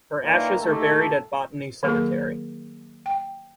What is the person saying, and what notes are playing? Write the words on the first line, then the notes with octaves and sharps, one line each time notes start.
Her ashes are buried at Botany Cemetery.
A#2 D#3 E3 A#3
A3 A#3 D#4 E4 G4 A4
D#3 F#3 A#3 G#4 A4
G5